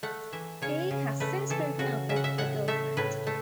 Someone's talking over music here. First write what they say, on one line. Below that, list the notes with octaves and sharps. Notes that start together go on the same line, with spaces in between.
He has since broken up with the girlfriend.
A3 F#5
E3 E5
C#3 C#5
C#3
A3 B4
E3 A4
C#3 F#4
C#3 E5
F#5
E5
A2 F#5
A3 E5
A2 B4
A3